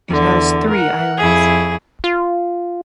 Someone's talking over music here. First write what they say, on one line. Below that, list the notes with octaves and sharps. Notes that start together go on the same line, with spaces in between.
It has three islands.
E2 D3
A#4 F#5
F2 E4 G#4
F4